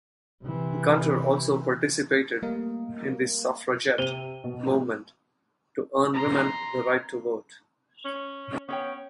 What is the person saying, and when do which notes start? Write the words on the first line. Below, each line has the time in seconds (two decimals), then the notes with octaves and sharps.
Gunter also participated in the Suffragette movement to earn women the right to vote.
0.44 C3 E3
2.42 G3 A3 A#3 A#4 D#5 F5
3.98 C3 C5 D#7 F7 G7
4.44 B2
6.14 A#5 C6
8.05 C#4
8.69 B3 C#4 C#5 G5